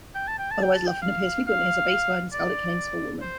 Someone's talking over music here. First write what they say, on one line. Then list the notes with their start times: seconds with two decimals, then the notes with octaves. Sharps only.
Otherwise Lofn appears frequently as a base word in skaldic kennings for woman.
0.15 G5
0.28 A5
0.39 G5
0.51 A5
0.63 G5
0.75 A5
0.87 G5
1.02 F5
1.47 F5
2.33 D5
3.22 C5